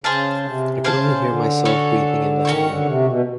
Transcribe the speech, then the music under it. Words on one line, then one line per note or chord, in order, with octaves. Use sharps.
I could only hear myself breathing in the helmet.
C#3 G#4 C5 F5 A5
C3
C#3 G#4 C5 F5 A5
D3
C#4 F#4 A4 C#5
D#3 C#4 F#4 A4 C#5
D3
C3
B2